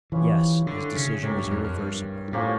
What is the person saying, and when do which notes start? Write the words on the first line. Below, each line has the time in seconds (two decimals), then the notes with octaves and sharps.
Yes: his decision was irreversible.
0.12 E3 F3 C#4 E4 G4
0.67 D3
0.95 C#3
1.23 A2 C#4 G4 A#4
1.37 G2
1.51 F2
1.64 F2
1.77 G2
2.32 A2 F3 A#3 C#4 G4